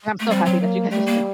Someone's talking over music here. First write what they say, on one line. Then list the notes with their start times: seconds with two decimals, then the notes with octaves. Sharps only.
and I'm so happy that you guys are still
0.20 A3
0.30 G3 C4
0.45 F#3
0.61 A#3
0.90 G3 A3
1.06 A#3